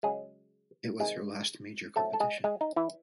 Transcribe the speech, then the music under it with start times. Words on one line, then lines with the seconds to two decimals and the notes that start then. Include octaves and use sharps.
It was her last major competition.
0.03 C#3 F#3 G#3 C#4 G#4
1.00 C3 D#3 G#3 G#4
1.96 A2 F#3 A3 C4 A4
2.13 A4
2.20 G#3 G#4
2.44 G#3 G#4
2.61 D#4
2.76 E3 E4